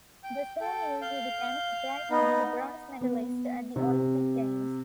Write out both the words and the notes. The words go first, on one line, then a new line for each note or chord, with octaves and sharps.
The same year he became, surprisingly, the bronze medallist at the Olympic Games.
G5
A4 G5
F5 G6
B3 D#4
B3
C3